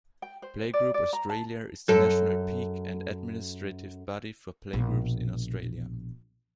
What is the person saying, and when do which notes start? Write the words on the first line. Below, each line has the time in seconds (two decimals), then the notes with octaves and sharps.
Playgroup Australia is the national peak and administrative body for playgroups in Australia.
0.22 G5
0.42 C5
0.74 D5
0.94 D5
1.13 A#5
1.29 A5
1.88 F#2 A4
4.73 A#1 B2